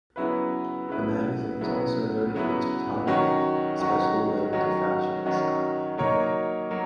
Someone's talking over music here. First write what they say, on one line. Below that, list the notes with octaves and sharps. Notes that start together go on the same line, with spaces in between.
The magazine is also noted for its photography, especially relating to fashion and style.
C#3 F#3 B3 E4 B4
C#3 F#3 B3 E4 B4
C#3 F#3 B3 E4 B4
C#3 F#3 B3 E4 B4
D#3 F#3 C#4 F#4
D#3 F#3 C#4 F#4
D#3 F#3 C#4 F#4
D#3 F#3 C#4 F#4
F#3 A#3 D#4 A#4 C#5
F#3 A#3